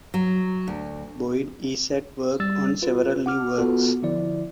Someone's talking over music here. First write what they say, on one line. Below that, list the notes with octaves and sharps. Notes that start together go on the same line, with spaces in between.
Boyd is at work on several new works.
F#3
D2
G3 E6 A6
F4 B4
F#5 D6 F6
B3 F4 F#4 A4
D3 F3 E4 D5